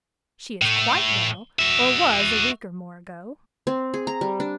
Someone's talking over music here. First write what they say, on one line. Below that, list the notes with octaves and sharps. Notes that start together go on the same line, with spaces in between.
She is quite well, or was a week or more ago.
A2 A3
F#4 E5
C4
G#4
A#5
G3
D4